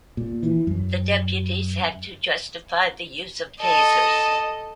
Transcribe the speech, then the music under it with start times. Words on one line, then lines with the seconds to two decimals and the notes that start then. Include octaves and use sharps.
The deputies had to justify the use of Tasers.
0.17 A#2
0.43 E3
0.67 F#2
3.61 A4 D#5